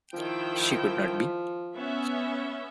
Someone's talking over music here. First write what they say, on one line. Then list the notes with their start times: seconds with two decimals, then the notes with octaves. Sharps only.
She could not be.
0.13 D#3 F3 E4 G5
1.76 B3 C#4 E5